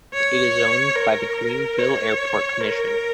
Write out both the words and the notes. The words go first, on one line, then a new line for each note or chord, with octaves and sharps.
It is owned by the Greenville Airport Commission.
C#5
A#4
C#5
A#4